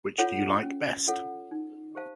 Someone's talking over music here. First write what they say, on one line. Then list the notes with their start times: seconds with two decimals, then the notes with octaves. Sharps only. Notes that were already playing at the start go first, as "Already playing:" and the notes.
Which do you like best?
0.18 F4 A4 C#5 F#5
0.63 C#4
1.07 F4 A4 C#5 F#5
1.51 D#4
1.95 G4 C5 F5 A5